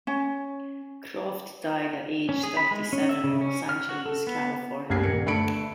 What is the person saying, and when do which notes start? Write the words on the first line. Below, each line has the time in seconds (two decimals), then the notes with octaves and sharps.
Croft died at age thirty-seven in Los Angeles, California.
0.07 C#4
2.29 C#4
2.43 G#4
2.57 B5
2.71 G#3
2.93 C#4
3.09 E5
3.24 C#3
3.41 C#4
3.69 F6
3.89 F#4
4.06 A4
4.27 B3
4.90 C2 C#3 A#3 G#6 C7
5.04 D#1 A#4 C#7
5.26 G1 A3 D4 B5 C#7 D7